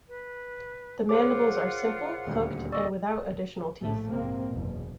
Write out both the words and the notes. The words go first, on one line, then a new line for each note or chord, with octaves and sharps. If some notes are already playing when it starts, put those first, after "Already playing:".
The mandibles are simple, hooked, and without additional teeth.
B4
F4 G#4 A#4 C5 C#5 F#5 D6
D#1 D2
D5 D#5 C#6 E6
A#1 A2 A3
A#1 G#2 C3 A#3 C4
F#1 E2 B2